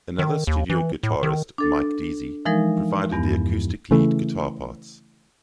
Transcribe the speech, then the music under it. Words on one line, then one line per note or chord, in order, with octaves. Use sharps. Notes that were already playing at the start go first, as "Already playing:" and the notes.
Another studio guitarist, Mike Deasy, provided the acoustic lead guitar parts.
D#3
D#2
E3
A2
D#3
D4 A4 A6
E3 F3 G#3 D#4 A#4
E2 G2 B3
C#3 E3 A3